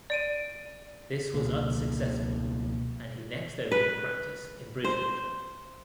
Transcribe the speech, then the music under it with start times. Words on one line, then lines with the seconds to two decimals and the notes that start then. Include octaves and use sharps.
This was unsuccessful, and he next opened a practice in Bridgewater.
0.10 D5 D7 D#7
1.34 C#2 F#2 B2 A#3
3.72 B4
4.85 C5